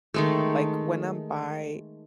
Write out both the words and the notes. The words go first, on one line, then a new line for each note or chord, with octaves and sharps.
like, when I'm by
D#3 G#3 A3